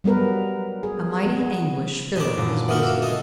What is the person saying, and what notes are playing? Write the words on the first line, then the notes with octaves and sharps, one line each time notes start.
A mighty anguish filled his bosom.
F#3 G3 B3 A#4 B4
G#4
B3
E1 D#4 D5 E7
F#2 A#2 D4
E3 A#3 F#4 F#5 D#6 F6
E6
G#3 D#4 A4